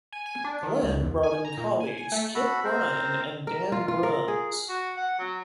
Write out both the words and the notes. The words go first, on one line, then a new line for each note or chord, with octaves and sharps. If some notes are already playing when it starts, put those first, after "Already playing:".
Glenn brought in colleagues Kip Bryan and Dan Bruns.
G#5
G#5
D4
D#3
C#2
E2
G#5
A#5
A#2
G#5
G#5
A3
F#4 A4 B5
C4 A#4 C5
A#4
F4
F4
A#4
G#4
F#4
F#5
F#3